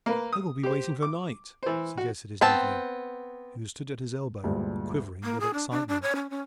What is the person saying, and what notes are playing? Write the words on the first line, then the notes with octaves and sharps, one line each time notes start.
"They will be waiting for night," suggested his nephew, who stood at his elbow quivering with excitement.
A#3 A#4 B4
D#6
G4 C5
D6
E3 C5
F#4
B3 C4 A5
D2 G2 A#2 G3 G#3
A#3
G#4
D4
D4
D4
C#5
C#4
C#4